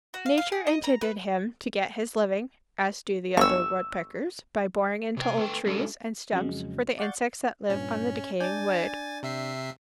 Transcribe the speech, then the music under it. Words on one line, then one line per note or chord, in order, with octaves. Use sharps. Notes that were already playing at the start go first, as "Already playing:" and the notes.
Nature intended him to get his living, as do the other woodpeckers, by boring into old trees and stumps for the insects that live on the decaying wood.
F#4
F5
F5
G#4
D#5
A#5
B4
G1 C#6 E6
C3 A#4 G5
A3 B4 G5
G3 G#3 C#4 D4 F#4 A4
F2 C#3 F#3 G#3
D5 F5 F#5 C#6 G6 A6
G2 A#2 C#4
D4 D5 G#5 G6 A6
C3 E5 C7